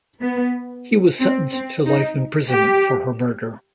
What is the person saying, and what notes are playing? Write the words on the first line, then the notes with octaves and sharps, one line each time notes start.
He was sentenced to life imprisonment for her murder.
B3
C4
C4
D#4
G4